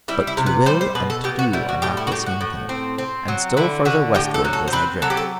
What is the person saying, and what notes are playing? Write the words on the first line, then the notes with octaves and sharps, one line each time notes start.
But to will and to do are not the same thing, and still further Westward was I driven.
G3 E4
E4
C3
B4
G3 C5
C5
B2 B4
A4
B2 G4
F#4
G3 E4
F#4
A2 G4
E4
F#4
A2 G4
F#4
A2
C4
C4
F#3
D3 E4
D3 F#4
A2 G4
A4
F#3
A4
C5
C4 B4
F#3 A4
G4
A4